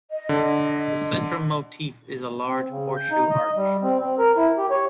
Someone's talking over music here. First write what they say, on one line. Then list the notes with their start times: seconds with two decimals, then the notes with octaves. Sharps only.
The central motif is a large horseshoe arch.
0.11 D#5
0.29 D3
2.47 C4
2.70 C#3
2.97 G6
3.11 D#4
3.30 D#5
3.56 G3
3.83 C4
4.00 C4
4.18 A#4
4.36 E4
4.57 G4
4.70 C#5